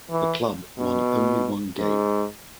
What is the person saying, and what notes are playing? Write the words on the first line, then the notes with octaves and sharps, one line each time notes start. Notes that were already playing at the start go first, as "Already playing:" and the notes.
The club won only one game.
E3
B2
G#2